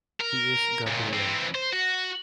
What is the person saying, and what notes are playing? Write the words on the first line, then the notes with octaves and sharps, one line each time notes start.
He is Gabriel.
A#4
C#2 A#2
E3 C4
C5
F#4